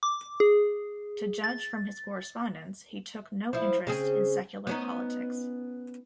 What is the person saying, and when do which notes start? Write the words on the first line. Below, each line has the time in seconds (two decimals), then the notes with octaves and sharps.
To judge from his correspondence he took no interest in secular politics.
0.03 D6
0.40 G#4
1.44 A6
3.53 F3 E4
3.87 C#3 C4 G#4
4.67 B3 C#4 D#4